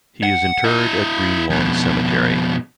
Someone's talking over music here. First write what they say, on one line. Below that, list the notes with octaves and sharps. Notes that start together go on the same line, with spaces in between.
He is interred at Greenlawn Cemetery.
F#5
E4 D#5
F2 B2